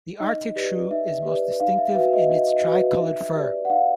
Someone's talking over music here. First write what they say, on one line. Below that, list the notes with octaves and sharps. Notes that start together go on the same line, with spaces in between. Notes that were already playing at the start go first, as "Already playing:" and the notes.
The Arctic shrew is most distinctive in its tricolored fur.
D#4 D#5
G4 B4 D5
D#4 E5
G4 B4 D5
D#4 F5
E5
F#4 B4 E5
D#5
D#4 D#5
D#5
F#4 B4
D#4 E5
G4 B4 D5
F#5
D#4 F5